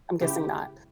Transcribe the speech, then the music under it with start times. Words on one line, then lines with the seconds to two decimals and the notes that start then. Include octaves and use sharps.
I'm guessing not.
0.21 C#3 E4 G4